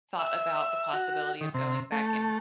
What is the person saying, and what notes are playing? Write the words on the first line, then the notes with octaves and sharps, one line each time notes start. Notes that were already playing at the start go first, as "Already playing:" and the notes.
thought about the possibility of going back and
E5
F#4
D#3
C3
A3